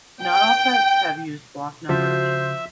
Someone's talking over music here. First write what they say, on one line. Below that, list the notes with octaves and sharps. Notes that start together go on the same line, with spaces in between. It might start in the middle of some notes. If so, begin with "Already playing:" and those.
Not all types have used block numbers.
G5
C#3 F3 F#4 C5 E5